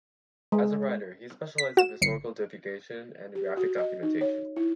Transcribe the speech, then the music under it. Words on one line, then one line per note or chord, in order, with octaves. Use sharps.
As a writer, he specialized in historical divulgation and graphic documentation.
G#3
B6
F#4 E7
G1 C7 C#7
G4
F#4
D#5
D#4
C#5
E4